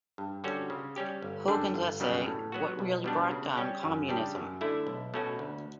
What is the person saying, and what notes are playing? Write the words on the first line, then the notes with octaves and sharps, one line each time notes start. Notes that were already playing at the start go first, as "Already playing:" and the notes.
Hogan's essay What Really Brought Down Communism?
G2
D3 G3 C#4 F#4
C#3
G3 C#4 G4
G1
F#2 D3 G3 D4
G1
F#2 C#3 G3 B3
A2
F#3 B3 F#4
B1
B2 G3 B3 D4
C#3
G3 C#4 G4
F#2
C#3 G3 D4 G4
F#2
D3 A3 E4
B1
B2 A3 C#4 F#4
D2